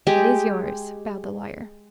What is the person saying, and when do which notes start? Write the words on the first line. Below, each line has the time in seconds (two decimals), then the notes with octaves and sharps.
"It is yours," bowed the lawyer.
0.07 G#3 G4